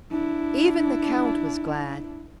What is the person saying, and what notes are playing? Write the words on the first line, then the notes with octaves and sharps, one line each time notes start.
Even the Count was glad.
D4 E4